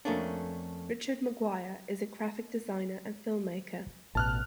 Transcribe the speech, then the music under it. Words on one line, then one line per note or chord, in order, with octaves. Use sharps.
Richard McGuire is a graphic designer and filmmaker.
F2 A3 A#3 C#4 D4
A1 B2 A5 F6 F#6